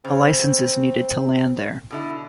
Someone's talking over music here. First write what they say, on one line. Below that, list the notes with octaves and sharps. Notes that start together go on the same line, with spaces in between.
A licence is needed to land there.
C#3 C4
B2 D3 E4